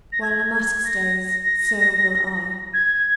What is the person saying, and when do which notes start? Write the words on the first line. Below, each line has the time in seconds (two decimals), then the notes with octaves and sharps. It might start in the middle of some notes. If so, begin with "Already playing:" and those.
"While La Masque stays, so will I."
0.12 A#6
0.22 G#6
0.54 G#6
0.85 A#6
2.73 G#6